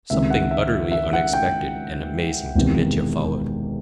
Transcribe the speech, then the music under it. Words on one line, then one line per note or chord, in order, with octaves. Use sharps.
Something utterly unexpected and amazing to Mitya followed.
C#2 C3 D#3 E5
F#5
E5
E5
F#5
G5
E1 E2 C3 D#3